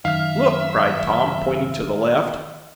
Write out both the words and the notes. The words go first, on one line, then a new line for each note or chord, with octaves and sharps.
"Look!" cried Tom, pointing to the left.
F#2 D#3 E5 F5 F6